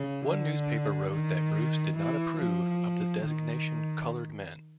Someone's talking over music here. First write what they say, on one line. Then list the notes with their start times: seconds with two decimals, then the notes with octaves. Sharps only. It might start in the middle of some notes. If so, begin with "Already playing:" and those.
One newspaper wrote that Bruce did not approve of the designation colored men.
Already playing: C#3
0.25 D3
1.11 D#3
1.96 E3
2.39 F3
3.24 D#3